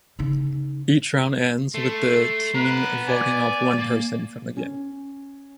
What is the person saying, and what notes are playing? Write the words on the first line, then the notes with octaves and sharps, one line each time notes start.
Each round ends with the team voting off one person from the game.
C#3 D#4
A3 C6
B3 B4 A#5
D5 G#5
A#3
C#4